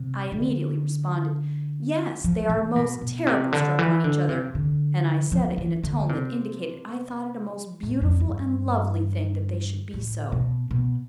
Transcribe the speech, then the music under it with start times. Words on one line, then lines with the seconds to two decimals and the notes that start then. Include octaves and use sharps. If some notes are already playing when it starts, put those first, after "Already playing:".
I immediately responded, "Yes, they are most terrible struck on each other," and I said it in a tone that indicated I thought it a most beautiful and lovely thing that they should be so.
Already playing: C3
0.32 D3
2.24 F3
2.50 E3
2.76 B2
3.01 B2
3.27 C3
3.52 D3
3.79 E3
4.04 D3
4.29 C3
4.55 D3
5.32 F3
5.58 E3
5.84 D3
6.09 C3
7.83 A2
8.02 F2
8.20 G2
9.94 A2
10.32 B2
10.71 B2